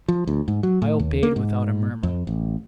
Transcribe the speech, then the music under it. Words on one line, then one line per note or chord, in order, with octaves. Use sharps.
I obeyed without a murmur.
F3
D2
G#2
F#3
A2
D#2
A#3
G#2
F2
A1